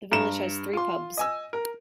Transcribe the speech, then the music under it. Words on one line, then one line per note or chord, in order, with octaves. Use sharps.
The village has three pubs.
G2 A#5 E7
F4 C6
D#5 G#5 E6
A#4